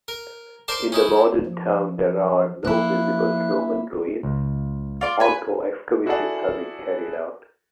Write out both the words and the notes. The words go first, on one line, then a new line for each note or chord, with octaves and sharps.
In the modern town there are no visible Roman ruins, although excavations have been carried out.
A#4
A#4 C5 D5 A5
C#4 D#4 E4
F3
F3 A#3 E4 F#6
C#2
F4 D5 C6
B4 G#5
E4 F#4 G#4 A4 D5 F#5